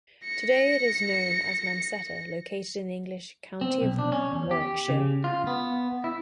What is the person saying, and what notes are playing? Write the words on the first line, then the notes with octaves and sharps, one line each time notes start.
Today it is known as Mancetter, located in the English county of Warwickshire.
A#6 C#7
C4
B1
D4
C#4
E2
G4
C#3
F4
B3
E4